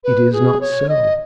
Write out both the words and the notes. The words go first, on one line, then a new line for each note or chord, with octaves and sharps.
It is not so.
B4
G#4
C#5
D#5